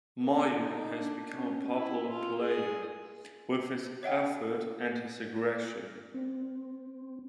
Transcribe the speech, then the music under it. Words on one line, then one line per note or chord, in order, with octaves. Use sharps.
Mair has become a popular player, with his effort and his aggression.
A#3
D#4
D4
C#4
E4
F4
G#4
C#5 E5 F#5 G5
C4